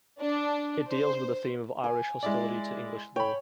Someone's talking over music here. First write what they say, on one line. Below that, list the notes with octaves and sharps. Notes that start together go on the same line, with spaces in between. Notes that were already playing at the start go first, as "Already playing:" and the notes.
It deals with the theme of Irish hostility to English law.
D4
C5
G#5 D6
G#3 E4 D5
C#5 G5 B5